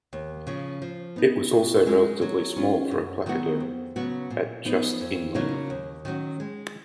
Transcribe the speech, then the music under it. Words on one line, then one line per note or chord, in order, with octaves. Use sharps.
It was also relatively small for a placoderm, at just in length.
D#2
C#3 F3
F3
B3 D#4
B2
G#3 D#4
F#3
C#4 F4
F#2
D#3 F#3 B3 F#4
F2
C#3 F#3 B3 F#4
A#2
F3 B3 D#4
F2
C#3 F#3 A#3 D#4
D#2
D#3 F#3 C#4 F#4
G#3